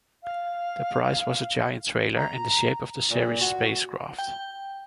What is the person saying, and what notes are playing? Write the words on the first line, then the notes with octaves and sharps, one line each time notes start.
The prize was a giant trailer in the shape of the series' space craft.
F5
A#5
A#2
F#4
G5